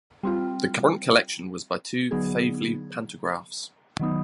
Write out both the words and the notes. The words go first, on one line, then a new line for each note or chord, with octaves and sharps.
The current collection was by two Faiveley pantographs.
G3 C4 F4
D3 F#3 B3 D#4 G#4
D#3 F#3 B3 D#4